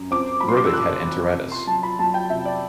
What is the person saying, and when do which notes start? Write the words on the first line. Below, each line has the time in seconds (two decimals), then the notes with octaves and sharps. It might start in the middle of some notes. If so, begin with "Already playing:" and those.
Robic had enteritis.
Already playing: F#2
0.11 C4 D6
0.41 F#3 B5
0.49 C6
0.57 D6
0.65 E6
0.73 C2 F#6
1.05 C4
1.36 C3
1.52 C6
1.67 F#3 A5
1.83 B5
1.99 F#3 A5
2.14 G5
2.30 C3 E5
2.45 D5